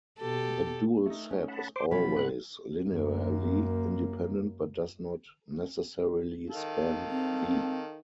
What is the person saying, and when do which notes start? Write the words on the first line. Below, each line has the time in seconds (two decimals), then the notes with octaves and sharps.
The dual set is always linearly independent but does not necessarily span "V".
0.19 B2 G4 A4
1.06 A3 D#4
1.31 C#4
1.48 F#5 A5 B5
1.76 C5 C6 D6
1.91 B2 F3 F#3 F4 C#5 B5
2.16 G#2 B3 C4 F#6
2.87 F#2 A#3
6.50 D#3 A4 F5
7.10 C4